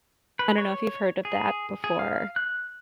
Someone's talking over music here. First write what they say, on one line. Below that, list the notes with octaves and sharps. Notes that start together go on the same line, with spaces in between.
I dunno if you've heard of that before
B4
C#5
G#4
G#4
F5
F#6